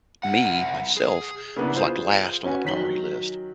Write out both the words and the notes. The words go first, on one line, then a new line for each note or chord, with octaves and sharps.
me- myself, was, like, last on the priority list
C2 F#5
G#4
C#3 A#3 B3 D4 E4
F4 G#4 C5
C#4 F#4 B4 G#5
D#3 F#3 B6 F#7 G7